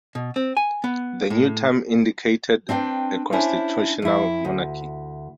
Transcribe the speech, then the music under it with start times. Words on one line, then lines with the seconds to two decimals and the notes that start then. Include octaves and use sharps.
The new term indicated a constitutional monarchy.
0.15 B2
0.36 C4
0.57 G#5
0.84 B3
1.30 A2
2.69 C4 D4 E4 B4 G5
3.33 C#4 D4 E4 C5
4.02 F2 E4
4.45 D2